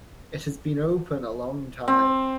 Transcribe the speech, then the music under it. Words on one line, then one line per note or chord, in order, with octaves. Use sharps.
It has been open a long time!
C4